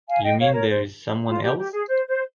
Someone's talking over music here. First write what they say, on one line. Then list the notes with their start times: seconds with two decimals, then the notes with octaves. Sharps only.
You mean there's someone else?
0.08 F5 G#5
0.23 D#5 G5
0.38 C#5 F5
0.53 A#4 C#5
0.68 C5
1.27 F4
1.42 G4
1.57 G4
1.71 G#4
1.86 C5
2.07 C5